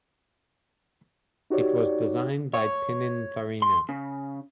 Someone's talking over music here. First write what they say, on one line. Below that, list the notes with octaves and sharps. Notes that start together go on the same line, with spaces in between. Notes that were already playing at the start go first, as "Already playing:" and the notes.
It was designed by Pininfarina.
D#4 F#4 G4 C#5 D5
C#5
C6
C#3